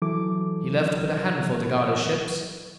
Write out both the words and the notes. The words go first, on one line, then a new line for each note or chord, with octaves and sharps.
He left but a handful to guard his ships.
E3 F#3 E4 A4 D6